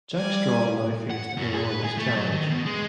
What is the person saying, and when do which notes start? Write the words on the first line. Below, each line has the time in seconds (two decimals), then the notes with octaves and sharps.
Jack Straw now faced an enormous challenge.
0.15 G3 D5 G#5
1.10 F#5
1.37 F#2
1.54 G#4
1.65 B4
1.84 G#4
1.98 A3
2.16 F#3
2.31 D#3
2.49 B2
2.66 G#3